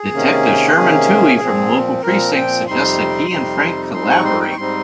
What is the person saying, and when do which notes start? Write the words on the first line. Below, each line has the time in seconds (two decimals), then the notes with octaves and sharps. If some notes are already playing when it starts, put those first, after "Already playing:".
Detective Sherman Touhey from the local precinct suggests that he and Frank collaborate.
Already playing: G#4
0.13 C3 D#3 A#3 C#4
0.76 C3 D#3 A#3 C#4
1.40 A#2 F3 C4
2.03 A#2 F3 C4 A#4
2.35 G5
2.67 F2 C3 G3 C4 D#4 C6
3.30 F2 C3 G3 C4 D#4
3.94 G#2 G3 C4 D#4 C6
4.10 C#6
4.25 C6
4.41 G5
4.51 C#6
4.57 G#2 G3 C4 D#4 C6